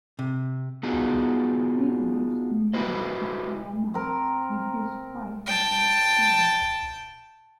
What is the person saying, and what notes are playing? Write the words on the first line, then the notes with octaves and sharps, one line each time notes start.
He lives in Moore, Oklahoma, with his wife and five children.
C3
B3 D4 D#4 F4 F#4 G#4
E4 F#4 G4 B4 C5 D#5
C4 A#4
G5 A5